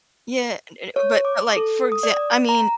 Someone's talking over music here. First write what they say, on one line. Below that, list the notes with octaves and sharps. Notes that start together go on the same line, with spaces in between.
Yeah, eh but but, like, for exa I mean,
C#5
D6
A4
D#6
D5
A#5